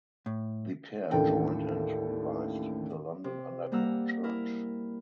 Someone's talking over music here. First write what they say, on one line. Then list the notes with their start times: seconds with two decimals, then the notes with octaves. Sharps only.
The pair joined and revived the London Underground Church.
0.26 A2
1.11 A1 D#2 A2 D4 A4 G5
3.24 C3
3.72 G3 A#3 F#5 A#5 E6
4.24 E4 A#4